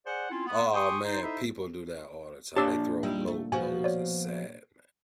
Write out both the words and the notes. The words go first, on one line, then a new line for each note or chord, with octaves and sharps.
Oh man, people do that all the time. They throw low blows, it's sad, man.
G#4 C5 D5 F#5
C4 C#4 E4 F4
B3
G4 G5 G#5 C6 C#6 D#6
D#4 C5
D#4 E4 A4 C5 D#5 E5
A#2 D4 G4 C#5 A5 E6
G3 D#4 E4
A3
B2 F3 F#4 G#5
C#5 D5